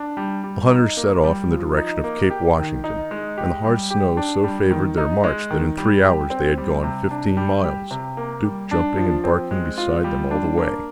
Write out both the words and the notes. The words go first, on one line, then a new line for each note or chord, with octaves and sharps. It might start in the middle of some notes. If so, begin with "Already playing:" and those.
The hunters set off in the direction of Cape Washington, and the hard snow so favoured their march, that in three hours they had gone fifteen miles, Duk jumping and barking beside them all the way.
Already playing: D4
G3
G3
D#4
A#3
G3
F3
D#4
A#3
G4
D#3
D#4
G#3
G4
G3
G4
D4
G3
D#3
D#4
G#3
D#3
G3
G4
C4
G3
C3
D4
G3
G4
C3
A#3
G3
D4
F3
C4
G#3
F4
G3
D4
A#3